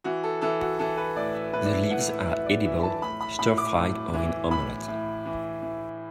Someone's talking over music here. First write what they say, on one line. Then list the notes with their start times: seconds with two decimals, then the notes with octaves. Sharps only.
The leaves are edible, stir-fried or in omelette.
0.04 E3 F#4
0.23 A4
0.41 E3 A4
0.61 F#4
0.79 E3 A4
0.97 B4
1.16 A2 D5
1.34 E5
1.53 A2 B4
1.65 D5
1.72 E5
1.90 A2 F#5
2.09 E5
2.28 A2 E5
2.46 D5
2.65 E3 E5
2.83 A5
3.02 A2 B5
3.21 B5
3.39 A2 B5
3.58 D6
3.76 A2
4.14 E3
4.51 A2 B5
4.88 A2
5.25 E3
5.62 E3